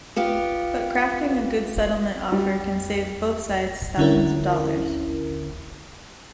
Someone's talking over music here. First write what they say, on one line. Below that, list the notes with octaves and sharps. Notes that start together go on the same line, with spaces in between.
But crafting a good settlement offer can save both sides thousands of dollars.
B3 F4 G4
G3
D3 C#4 E4 A#4